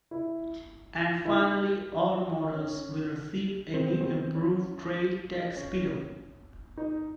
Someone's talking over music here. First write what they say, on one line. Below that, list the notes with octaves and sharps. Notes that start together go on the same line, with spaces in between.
And finally all models will receive a new improved Trail Tech speedo.
E4
E4
D#4
D4
C#4
C4
B3
C4
C#4
C#4
D#4